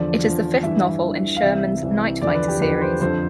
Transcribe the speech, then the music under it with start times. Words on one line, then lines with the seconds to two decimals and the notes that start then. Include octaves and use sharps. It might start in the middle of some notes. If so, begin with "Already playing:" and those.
It is the fifth novel in Sherman's Night Fighter Series.
Already playing: E2 D3 F3 D5
0.24 E2 D3 F3
0.63 G2 E3 E5
1.03 G2 E3
1.37 F5
1.42 C2 C3 E3 E5
1.82 C2 C3 E3
2.21 E2 D3 F3 D5
2.35 B4
2.48 G4
2.61 E2 D3 F3 B4
2.81 C5
3.01 F2 D3 F3 C5